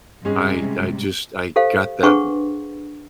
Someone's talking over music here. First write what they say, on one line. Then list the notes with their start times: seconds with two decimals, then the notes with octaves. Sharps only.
I I just I got that
0.25 G#2 C3 G3 G#3 C#4 G#4
1.56 G4 A4 C5 F5
2.03 D4 G#4 B4 F#5 C6 C#6